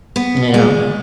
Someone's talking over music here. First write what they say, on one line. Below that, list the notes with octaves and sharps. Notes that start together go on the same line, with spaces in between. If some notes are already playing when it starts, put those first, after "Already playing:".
You know?
B3
G#3